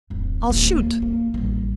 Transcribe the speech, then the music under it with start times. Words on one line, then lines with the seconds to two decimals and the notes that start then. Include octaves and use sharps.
I'll shoot!
0.10 D1 F2
0.50 D1 A#3
0.72 A#3
1.02 A#3
1.34 A1 G3